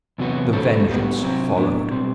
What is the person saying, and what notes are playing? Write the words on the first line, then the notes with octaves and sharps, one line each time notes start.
The Vengeance followed.
E2 C3 F#3 B3 F#4
D3 F#3 C4 F#4 A4
A2 G3 B3 F#4
C3 F#3 C4 F#4
A2 F#3 B3 D4
B2 G3 C4